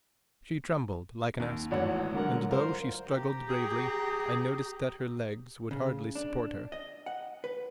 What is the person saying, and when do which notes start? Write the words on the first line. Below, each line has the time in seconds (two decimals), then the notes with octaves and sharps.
She trembled like an aspen, and though she struggled bravely, I noticed that her legs would hardly support her.
1.40 D#2
1.71 G#1 E2 A2 C#5 F#5
2.14 G#2 D3 F#3 A#4 F#5
2.50 F4 A#4 C5 C6
3.08 G4 A#5
3.49 G#4
5.71 C#3
6.15 D4
6.72 D#5
7.06 F#5
7.44 B4